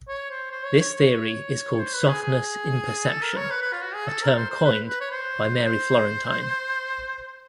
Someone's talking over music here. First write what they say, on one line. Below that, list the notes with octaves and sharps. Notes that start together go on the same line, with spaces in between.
This theory is called "softness imperception", a term coined by Mary Florentine.
C#5
C5
C5
C#5
C#5
C#5
C5
B4
G#4
G#4
A4
A#4
C#5
B4
B4
F4
F#4
G#4
A4
A#4
C5
C5
B4
B4
C#5
C5
C5